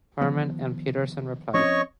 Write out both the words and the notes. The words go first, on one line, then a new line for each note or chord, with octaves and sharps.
Herman and Peterson replied.
D#3 F3 B3
F3 C4 C#4 C#5 D#5 C#6